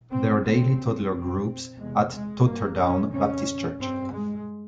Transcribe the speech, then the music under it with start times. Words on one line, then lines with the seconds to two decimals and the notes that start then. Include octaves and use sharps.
There are daily toddler groups at Totterdown Baptist Church.
0.11 C4
0.44 E2 C#3 C4
1.12 F2 C3 C4
1.78 E2 C3 G#3
2.13 G#3
2.46 G2 A#3
2.80 C#4
3.12 F2 C#3 C#4
3.79 G2 C4
4.13 G#3